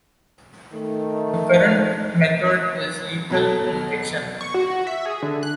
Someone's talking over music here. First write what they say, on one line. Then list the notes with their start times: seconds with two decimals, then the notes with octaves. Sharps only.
The current method is lethal injection.
0.73 D#3 A3
3.30 B2 F#3 A4
4.41 C#6
4.54 F#4
4.87 E5
5.06 G#4
5.22 D3
5.43 F#6